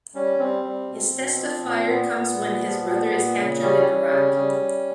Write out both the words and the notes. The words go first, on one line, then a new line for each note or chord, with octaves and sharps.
His test of fire comes when his brother is captured in Iraq.
G3 C#4
G3 C4
G3
B2
B2
F3
A#2
A#2 B3
A#2
A#2
F3
A#2
A#2
C#3
G3 C#4
G3
C#3
G3
G3